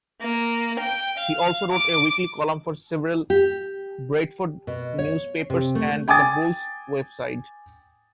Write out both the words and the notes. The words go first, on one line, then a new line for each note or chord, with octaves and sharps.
He also wrote a weekly column for several Bradford newspapers and the Bulls website.
A#3
G5
F5
D6
G4
B2
C#5
C3
A3
G5 G#5 D6 D#6 A6